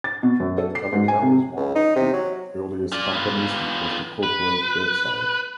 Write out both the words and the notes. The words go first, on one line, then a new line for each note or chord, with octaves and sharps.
Kaleida was one of the earliest companies to post a corporate website.
A6
B2
F#2
A4
C7
G#2
G#5
C3
C#2
D#4
C3
F#3
F4 D5
B3 F4
B4